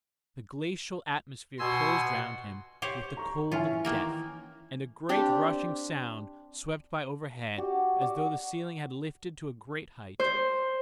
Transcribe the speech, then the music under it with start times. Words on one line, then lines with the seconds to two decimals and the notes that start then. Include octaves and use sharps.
The glacial atmosphere closed round him with the cold of death, and a great rushing sound swept by overhead as though the ceiling had lifted to a great height.
1.59 B2 F#4 G#5 C6 E6
2.82 G4 C5 C#5
3.17 A#5 C#6
3.52 E3 C#4 F4 E5 G#5
3.85 D#3 A#3 A#4
5.09 C4 D4 G4
7.58 F#4 G4 D5
8.01 F#4 D5
10.20 C5